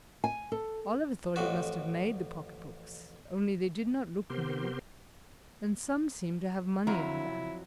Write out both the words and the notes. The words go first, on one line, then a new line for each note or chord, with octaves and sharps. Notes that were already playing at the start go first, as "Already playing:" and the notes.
Oliver thought he must have made the pocketbooks, only they did not look new, and some seemed to have money in them.
G#5
A4
A1 F2 F#4
C3 B3 G4 A#4 C5 C6
F2 F#3 E4 A#5